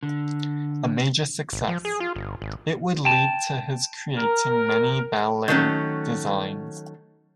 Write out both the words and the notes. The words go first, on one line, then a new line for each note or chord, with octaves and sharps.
A major success, it would lead to his creating many ballet designs.
D3
G#1
F3
G#4
F4
G1
G#1
G5 A5
A#4
D#3 F#3 A3 C#4